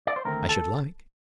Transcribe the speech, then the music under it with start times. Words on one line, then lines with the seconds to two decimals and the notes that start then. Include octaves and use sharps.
"I should like."
0.07 D5
0.16 C5
0.25 D#2 D3 A3 C4 A#4
0.49 A4